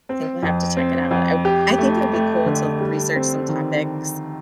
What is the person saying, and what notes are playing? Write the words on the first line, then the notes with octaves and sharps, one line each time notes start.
I think we'll have to check it out. I I think it would be cool to research some topics,
C4
F2
C4
F2
G4
A3
A3
D3
G3
C4
D#3